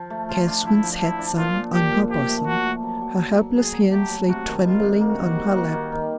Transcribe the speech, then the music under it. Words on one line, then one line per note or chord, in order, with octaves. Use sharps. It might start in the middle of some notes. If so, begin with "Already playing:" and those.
Catherine's head sank on her bosom; her helpless hands lay trembling on her lap.
Already playing: F3
A3
F3 F4
D4
F3 E4
F3
F3 E4
D4
A#2 F4
A#2
A#2 G4
A#2
F3 G4
A3
A#2 F#4
A3
F#3
F#3
F#3
F#3
F#3 G#4
F#3
A3 G4
F#3
C3 F#4
D#3
G3 F4
C3
A#3 F#4
D#3
G3
A#3
D#3
D#3